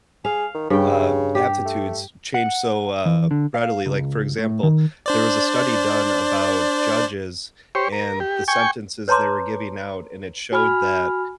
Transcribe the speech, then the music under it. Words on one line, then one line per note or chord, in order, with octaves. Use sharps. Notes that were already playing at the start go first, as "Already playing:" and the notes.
uh, aptitudes changed so, uh, readily, like, for example, there was a study done about judges and the sentences they were giving out, and it showed that
G#4 F5
D#3
G2 C#3 G5
G4
A3
F#5
E3
D3
F5
C#2
A2
D#3
D4 C5 D5
G4 C5 C#5
A#4
G4
G5 G#5 C#6
B4 C#5 A5 A#5 C6 D6
F#4 G#5 B5 F6